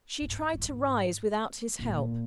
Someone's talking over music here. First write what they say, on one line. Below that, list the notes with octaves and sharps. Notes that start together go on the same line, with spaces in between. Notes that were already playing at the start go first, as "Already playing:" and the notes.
She tried to rise without his help.
G#2
G#2
A#2